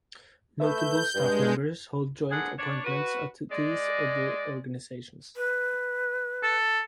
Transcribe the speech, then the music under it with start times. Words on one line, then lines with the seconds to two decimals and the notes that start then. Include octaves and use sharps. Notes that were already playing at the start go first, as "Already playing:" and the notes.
Multiple staff members hold joint appointments at these other organisations.
0.60 A3 B4 E5 G6
1.15 G2 G#3
2.31 G2 D3 G#4 F#5
2.58 D4 C#5
2.84 F#4 B4
3.51 G#3 D5
5.36 B4
6.43 A4